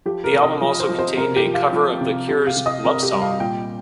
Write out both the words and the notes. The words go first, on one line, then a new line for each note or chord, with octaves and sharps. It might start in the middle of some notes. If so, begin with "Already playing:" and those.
The album also contained a cover of The Cure's "Lovesong".
F3 G4
A#4
C3
D#5
F3
C5
F3
C5
C3 A#4
G4
F3
F4
F3
C3
C3 G4
F5
C3
D#5
C3 A#4
G4
G3
F5
A#2 G5